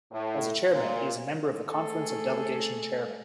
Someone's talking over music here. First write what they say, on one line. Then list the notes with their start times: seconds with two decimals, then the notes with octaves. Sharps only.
As a chairman, he is a member of the Conference of Delegation Chairmen.
0.11 A2
0.70 A#2
1.71 A3 G#4 A4